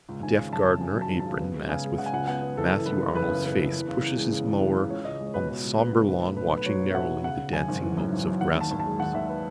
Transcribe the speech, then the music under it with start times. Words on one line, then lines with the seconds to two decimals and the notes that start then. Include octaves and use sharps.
A deaf gardener, aproned, masked with Matthew Arnold's face, pushes his mower on the sombre lawn watching narrowly the dancing motes of grasshalms.
0.09 C#2
0.23 G#1 G#5
0.38 C#3
0.52 F#2 A5
0.67 C#3
0.81 F#2 G#5
0.96 F#3
1.02 A5
1.10 G#1
1.20 A5
1.25 C#3
1.40 B3
1.55 G#3
1.69 C#3 G#5
1.84 G#3
1.98 C#3 F#5
2.06 G#5
2.13 C#2 F#5
2.27 B3 F#5
2.42 B3
2.57 F#1 A4
2.71 E2
2.86 F#1 B4
3.01 C#3
3.15 F#1 B4
3.30 C#3
3.44 F#1 B4
3.59 E2
3.73 E2
3.88 C#3
4.03 E2
4.17 G#3
4.32 C#3
4.47 E2
4.61 C#3
4.76 C#3
4.90 C#2 C#5
5.05 C#2 D#5
5.20 G#3
5.27 C#5
5.34 B2 B4
5.49 B2 B4
5.64 C#2
5.78 C#2 B4
5.93 C#2
6.08 B1 B4
6.22 A3
6.36 B1 B4
6.51 B1
6.57 B4
6.66 F#3 C#5
6.80 B2
6.91 E5
6.95 B1 F#5
7.10 B2
7.24 C#3 F#5
7.40 C#3
7.53 F#2 G#5
7.69 G#1
7.83 E3
7.97 F#2
8.13 G#1
8.27 F#2
8.41 D#2 F#5
8.55 D#2
8.61 A5
8.71 D#2
8.80 A5
8.85 G#3
8.99 D#2 F#5
9.14 D#2 E5
9.29 B4